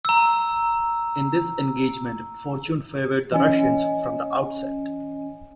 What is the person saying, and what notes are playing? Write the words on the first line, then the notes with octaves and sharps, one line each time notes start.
In this engagement, fortune favored the Russians from the outset.
A#5 E6
E3 C#4 D#5 G#5